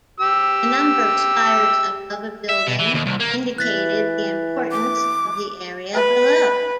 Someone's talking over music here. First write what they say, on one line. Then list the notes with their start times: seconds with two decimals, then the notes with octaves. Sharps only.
The number of spires above a building indicated the importance of the area below.
0.20 G4 E6
2.49 E5
2.67 B2
2.79 E3
2.94 D#2
3.06 C2
3.20 A#3
3.58 E3 F#6 A6 B6
4.71 D6
5.94 B4